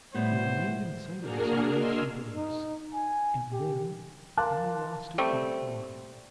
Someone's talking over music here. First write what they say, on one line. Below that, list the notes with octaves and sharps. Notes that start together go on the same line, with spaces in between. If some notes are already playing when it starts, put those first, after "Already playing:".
We remained in sight of this island two days, and then only lost it in a fog.
A2 G3 B3 C5
A#3 D4 F#4 G#4 A#4 F6
D#5 C6 E6 F6 G#6 C7
D#4
G#5
G4
A#4 F5 A5 C6 D6 F#6
G3 A3 C4